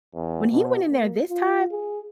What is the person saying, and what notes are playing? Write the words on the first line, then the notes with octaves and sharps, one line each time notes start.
When he went in there this time,
E2
B2
A#3
F4
G#4